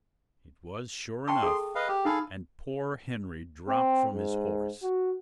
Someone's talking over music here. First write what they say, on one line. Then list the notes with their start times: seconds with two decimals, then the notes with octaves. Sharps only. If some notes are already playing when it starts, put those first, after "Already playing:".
It was sure enough; and poor Henry dropped from his horse.
1.28 G5 A5 C6 C#6
1.43 G#4 A4
1.75 B4 D#5 F5
1.88 G4
2.05 D#4 G#4 A4 F5 B5
3.68 C4
4.11 G#2
4.83 F#4